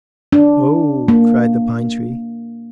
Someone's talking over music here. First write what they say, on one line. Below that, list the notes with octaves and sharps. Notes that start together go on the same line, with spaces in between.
"Oh!" cried the pine tree.
D4
A#3